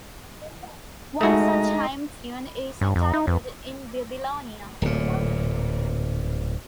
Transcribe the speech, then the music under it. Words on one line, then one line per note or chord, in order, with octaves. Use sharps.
One such hymn tune is entitled "In Babilone".
G#3 A3 D#4 F#4 D#5 E5 G#5 A#5
G2
F2
D#4
F2
D1 A#2